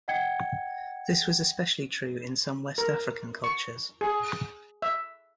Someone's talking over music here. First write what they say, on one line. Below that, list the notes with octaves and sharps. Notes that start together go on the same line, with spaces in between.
This was especially true in some West African cultures.
D#5 F#5 G5 G#6 C#7
A#4
C#6
G#4
E5